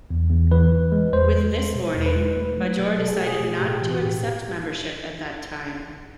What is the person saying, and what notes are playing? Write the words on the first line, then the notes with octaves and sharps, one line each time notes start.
With this warning, Bajor decided not to accept membership at that time.
E2
E2
E3 B4
E3
G#3
E2 C5
G#3
G#3
B2
E2
B4
G#3
A3
F#3
B2
B2 A4
G#4
A3 G4
G#4
B2
A2 G4
E3
F#4
A2 G4